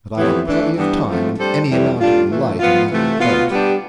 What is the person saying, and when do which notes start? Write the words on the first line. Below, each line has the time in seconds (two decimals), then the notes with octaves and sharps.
But I had plenty of time and any amount of light in that boat.
0.17 F2 E3 B3 E4 G4
0.46 E3 A3 D4
0.77 G2 E3 B3 D4 G4
1.08 F3 A3 C4
1.38 G3 D4 A4 C5
1.68 F2 E3 G3 C4 E4
1.99 A2 G3 D4 F4
2.30 A2 E3 A3
2.59 F3 B3 F4
2.90 C3 E3 A3
3.20 B2 B3 F4
3.51 G3 B3 D4 G4